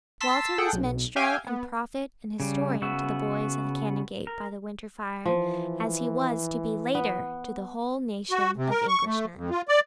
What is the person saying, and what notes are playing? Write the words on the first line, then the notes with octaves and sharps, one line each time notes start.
Walter was minstrel and prophet and historian to the boys of the Canongate by the winter fire, as he was to be later to the whole nation of Englishmen.
A5 C6 E6 B6
G#4 A4 F#5 G5
B1
G4 E5 F5 G5 G#5
B3
C#3 G3
C#3 B3 F#4 E5
A#4
E3 F3
B3
F#4
C3
A#4
C#6
A3
F2
F4
D5